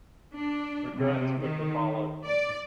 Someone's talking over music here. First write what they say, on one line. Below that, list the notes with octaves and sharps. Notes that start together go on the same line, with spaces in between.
Regrets quickly followed.
D4
C3
D#3
D5